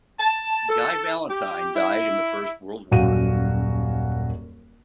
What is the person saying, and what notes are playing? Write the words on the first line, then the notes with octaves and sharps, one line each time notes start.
Guy Valentine died in the First World War.
A5
A4
G4
E4
D#1 F#2 F#4 F5 D#7